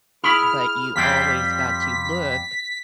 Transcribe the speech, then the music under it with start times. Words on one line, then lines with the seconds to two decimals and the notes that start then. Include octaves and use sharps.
But you always got to look
0.24 E4 G#4 B5 F6
0.96 F2 G3 C4 B6